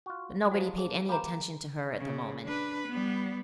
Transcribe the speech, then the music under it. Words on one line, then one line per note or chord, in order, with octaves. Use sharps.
But nobody paid any attention to her at the moment.
F4 F#4
F3 F#3 F#4 C5
G#4
A#3 G4 A#5 B5
C#3
D4 B4
G3 B3